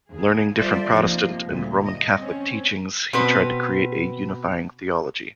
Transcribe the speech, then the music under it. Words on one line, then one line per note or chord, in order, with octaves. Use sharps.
Learning different Protestant and Roman Catholic teachings, he tried to create a "unifying theology".
D#2 G#4
G3 F4 A4 C5 D5 E5
C3 F3 A#3 D#4
D2 A#2 G3
G3 D#5
C4 C#4
B2 C4 B4